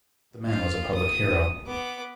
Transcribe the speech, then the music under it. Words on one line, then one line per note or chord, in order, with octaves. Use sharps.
The man was a public hero.
F4 F5
D#6
B3 D6